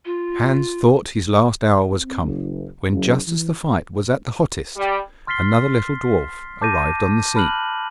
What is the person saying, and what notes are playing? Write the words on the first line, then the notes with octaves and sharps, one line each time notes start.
Hans thought his last hour was come, when just as the fight was at the hottest another little dwarf arrived on the scene.
F4
C4
F#1
F#1
E3
G3
C6 F6 A6 B6 C7 G7
A5 D6 G6 A6 A#6 D#7
A5 B5 F6 F#6 F#7